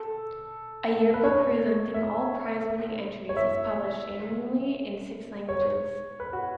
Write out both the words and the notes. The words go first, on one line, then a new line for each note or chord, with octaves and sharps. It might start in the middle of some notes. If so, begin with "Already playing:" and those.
A yearbook presenting all prizewinning entries is published annually in six languages.
Already playing: A4
B4
C#5
E5
C#5
E5
C#5
B4
F#4